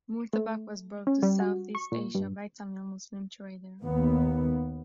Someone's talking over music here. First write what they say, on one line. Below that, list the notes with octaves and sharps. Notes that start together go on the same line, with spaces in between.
Murtabak was brought to Southeast Asia by Tamil Muslim trader.
A3
C#4
G3
F#4
C#6
A#2
G2
D#2 B3